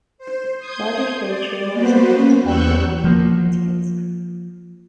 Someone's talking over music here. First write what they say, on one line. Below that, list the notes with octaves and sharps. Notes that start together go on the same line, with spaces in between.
Rogers played three more seasons, all for the Washington Redskins.
C5
C6 D#6 G6 G#6
D5
A#3 B3 F#4 B4 C5
C#4
E2 B3 C#6 E6 F#6 G6
F3 A#3